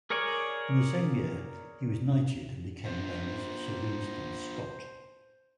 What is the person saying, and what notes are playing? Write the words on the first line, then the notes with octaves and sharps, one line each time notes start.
In the same year he was knighted and became known as Sir Winston Scott.
G#4 A#4 C#5 D5 G#5
D4 F4 C5